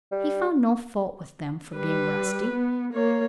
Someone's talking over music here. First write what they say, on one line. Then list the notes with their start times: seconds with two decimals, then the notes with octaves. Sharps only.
He found no fault with them for being rusty.
0.12 G3
1.76 G3 B4
2.52 B3
2.93 A#3 C#5